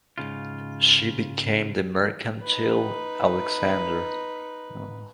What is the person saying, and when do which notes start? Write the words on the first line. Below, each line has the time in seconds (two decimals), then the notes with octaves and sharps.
She became the mercantile "Alexander".
0.18 G#2 C#3 F4
2.41 D#4 B4